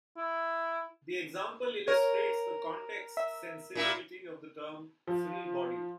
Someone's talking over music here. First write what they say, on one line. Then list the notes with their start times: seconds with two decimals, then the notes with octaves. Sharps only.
The example illustrates the context sensitivity of the term "free body".
0.17 E4
1.88 A#4 C#5
3.17 E5
3.75 A#2 E4
5.07 F3